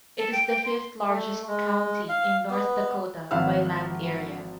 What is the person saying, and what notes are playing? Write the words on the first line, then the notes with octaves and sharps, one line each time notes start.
It is the fifth-largest county in North Dakota by land area.
A4
G5
G5
C6
A3
G#3
F5
B3
G#1 F3 E4 F5 F#5 E6